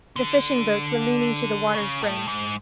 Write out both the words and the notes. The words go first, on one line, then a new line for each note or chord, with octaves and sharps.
The fishing-boats were leaning to the water's brim.
D3
C#3
A2
G#2